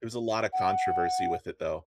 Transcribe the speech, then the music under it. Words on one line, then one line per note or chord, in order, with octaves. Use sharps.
there's a lot of controversy with it though.
F#5